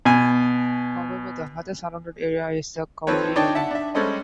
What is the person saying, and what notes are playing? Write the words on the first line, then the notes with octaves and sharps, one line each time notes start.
However, the other surrounded area is a county island.
B2 G#5
D#3 F3 C4 A4 B4 C#5
D4 D#4 C#5 D5 G5 A5
E5 F#5 A5
D4 E5
G3 G#3 C#4 A4 C5 D#5